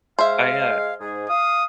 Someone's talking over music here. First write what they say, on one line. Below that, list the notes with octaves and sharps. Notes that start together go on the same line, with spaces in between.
I, uh
G#3 C5 E5 F5
G#2 G#4
F5 D#6